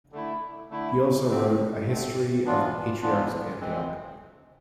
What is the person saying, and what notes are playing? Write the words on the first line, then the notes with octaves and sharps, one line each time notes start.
He wrote also a "History of the Patriarchs of Antioch".
D3 A3 E4
D3 A3 E4
D3 A3 C4
D3 A3 C4
E3 B3 D4 F4
E3 B3 D4 F4
E3 G#3 C4